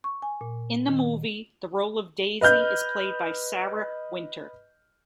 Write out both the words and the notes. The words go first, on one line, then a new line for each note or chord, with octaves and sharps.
In the movie, the role of Daisy is played by Sarah Wynter.
C#6
G#5
A#2
D#3
B4 D#5 F6 G6